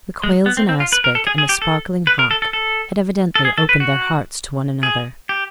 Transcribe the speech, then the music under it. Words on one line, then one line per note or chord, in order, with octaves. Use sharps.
The quails in aspic and the sparkling hock had evidently opened their hearts to one another.
G#3
B3
C4
C4
F4
B4
A#4
A4
G#4
G#4
G4
A4
B4
A#4
A4
A4
A4
A4
G#4
A4
B4
F#4
G#4
G4